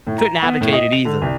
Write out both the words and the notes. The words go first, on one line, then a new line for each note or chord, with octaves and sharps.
couldn't advocate it either.
A2
A#5
B3
A2
D#5
F7
D3
C2